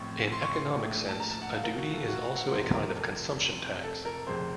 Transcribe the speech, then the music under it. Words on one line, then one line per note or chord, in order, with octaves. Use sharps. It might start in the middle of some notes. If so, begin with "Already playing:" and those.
In economic sense, a duty is also a kind of consumption tax.
Already playing: A1 A2 F3 C4 C#6
C6
C#6
C6
A#1 A2 A3
A5
A#5
A5
F#5
F5
A#4
F#4
A4
F#4
F#5
F1 F2 C3 F3 C4 C5
A#4
A4
A4
A#4
F1 F2 C#3 C5